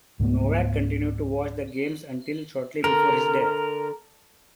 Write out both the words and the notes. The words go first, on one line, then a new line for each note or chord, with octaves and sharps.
Nowak continued to watch the games until shortly before his death.
C#2 G#2 A3 B3
D3 A#4